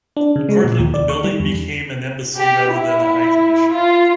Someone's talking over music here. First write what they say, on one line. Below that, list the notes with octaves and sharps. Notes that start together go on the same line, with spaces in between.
Accordingly, the building became an Embassy, rather than a High Commission.
D4
C#3
G#3
A#2
D#2
D5
C#6
G3
E2
G4
E4
F4